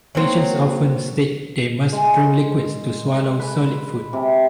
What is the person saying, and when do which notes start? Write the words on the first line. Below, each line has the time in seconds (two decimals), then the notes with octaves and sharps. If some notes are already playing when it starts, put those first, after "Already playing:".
Patients often state they must drink liquids to swallow solid food.
0.15 F#3 A#3 C4
1.92 G#3
3.40 B4
4.13 C3